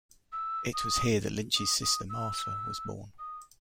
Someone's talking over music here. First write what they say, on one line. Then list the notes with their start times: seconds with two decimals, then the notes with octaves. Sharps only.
It was here that Lynch's sister Martha was born.
0.32 E6
0.74 D#6
1.55 D#6
1.82 D#6
2.10 E6
3.19 D#6